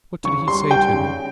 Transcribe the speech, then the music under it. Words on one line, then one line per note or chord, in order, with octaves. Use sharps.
What did he say to her?
C#3 C#6
G3 C6
G3 G5
C#3